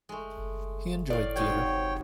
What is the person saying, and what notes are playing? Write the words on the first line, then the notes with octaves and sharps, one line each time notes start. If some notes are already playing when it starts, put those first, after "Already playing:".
He enjoyed theatre.
G#3 A3
A2 D5 F5
G#2 C3 F#3 C#5 G5